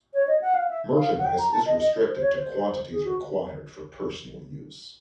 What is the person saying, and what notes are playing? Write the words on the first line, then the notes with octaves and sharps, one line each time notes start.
Merchandise is restricted to quantities required for personal use.
C#5
D#5
F#5
F5
E5
F5
F#5
G5
A#5
A5
D#5
D#5
C5
C#5
C5
G#4
F#4